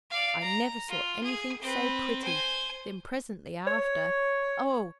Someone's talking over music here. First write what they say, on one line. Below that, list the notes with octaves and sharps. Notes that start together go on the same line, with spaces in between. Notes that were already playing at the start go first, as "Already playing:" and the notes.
I never saw anything so pretty!' then presently after, 'Oh!
D5 F5
A#5
F4
G#4
C4 B4
C5 G#5
C#5